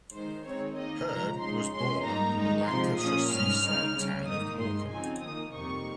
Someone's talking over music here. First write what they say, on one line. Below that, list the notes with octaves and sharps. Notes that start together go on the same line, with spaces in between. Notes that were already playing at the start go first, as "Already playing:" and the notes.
Hird was born in the Lancashire seaside town of Morecambe.
D#3 G#3 D#4 C5
D#3 G#3 C4 D#4 C#5
D#3 A#3 D#4 D#5
C#3 F3 G#3 A#5
C#3 G#3 D#4 C6
A#2 G#3 C#4 C6
G#2 G3 A#3 D#4 A#5
D#3 G#3 D#4
C3 F3 G#3 C6
A#2 F3 A#3 C#4 D#6
G#2 G3 C#4 F6
C#3 G#3 D#4
C#3 G3 C#4
G#2 D#3 A#3 D#4 D#6
G2 D#3 G#3 C6
C#3 F3 C4 D#4 G#5
D#3 A#3 D#4 D#6
F2 C3 G3 A#3 D#4 C#6